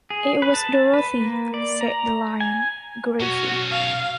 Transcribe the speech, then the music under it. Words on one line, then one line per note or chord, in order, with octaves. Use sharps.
"It was Dorothy," said the Lion, gravely.
G#4
B4
A5
B4
A#3
D5
A#5
G#5
B1 C#4 F#4
F5